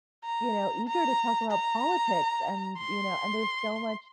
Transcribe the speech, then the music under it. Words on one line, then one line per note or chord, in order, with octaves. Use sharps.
you know, eager to talk about politics and, you know, and there's so much
A#5
A#5
A#5
C6